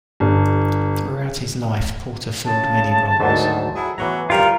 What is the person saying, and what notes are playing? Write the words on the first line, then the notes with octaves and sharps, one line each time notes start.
Throughout his life, Porter filled many roles.
G1
A2 C#3 A5
D2 G#2 D#3 F#3
F#3 E4 G#4
E3 F#3 A3 B3 C#5 A#5
G3 F4 A#4